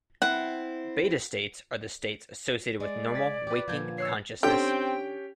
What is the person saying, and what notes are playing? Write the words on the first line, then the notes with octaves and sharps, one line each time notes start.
Beta states are the states associated with normal waking consciousness.
C4 E4 F#5
G#3 D5
G#6 A6 B6
G4 B4 D6
A#2 D3 F3 G6 G#6
C#5 E6 F#6 C7
D3 C4 C#4 G4 C#5 G5